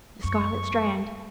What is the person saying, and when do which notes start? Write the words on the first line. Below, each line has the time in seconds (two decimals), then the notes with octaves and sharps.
'The scarlet strand!
0.24 F#2 C#6